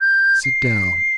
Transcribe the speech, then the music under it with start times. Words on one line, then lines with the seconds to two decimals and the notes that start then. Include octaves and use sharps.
Sit down.
0.01 G6
0.44 C7